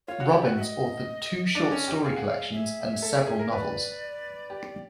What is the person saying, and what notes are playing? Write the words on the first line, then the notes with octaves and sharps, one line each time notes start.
Robbins authored two short story collections and several novels.
F4 C#5
F#4
G4 D5
F#4
E5
D#5
D4 D#5
C#4
G4
G#4 F5
F#5
F5
E5
A4
G#4
G#4
A#4
B4 D5
G4